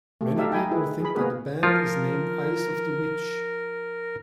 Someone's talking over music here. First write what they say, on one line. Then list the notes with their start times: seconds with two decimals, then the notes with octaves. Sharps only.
Many people think that the band is named Eyes of the Witch.
0.21 A3 G4
0.36 D#4 G4 A4 E5 F5 A5
0.51 D#4 G5 G#5 B5
0.71 E4 G#4 B4
1.00 G#4 B5
1.15 A#3 B3 F#4 G#4 A#4 B4
1.63 F3 F4 A#4